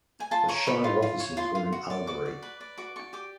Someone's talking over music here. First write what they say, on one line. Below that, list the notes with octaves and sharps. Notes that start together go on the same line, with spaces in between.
The shire offices were in Albury.
G#5
F4 A5
C#5 A#5
C#5 B5
F4
F4
C#5
F4 C6
F4
F#4
D5
F#4 D6
D5
B4
D5
F#4 D6
D5 C#6
G4 D6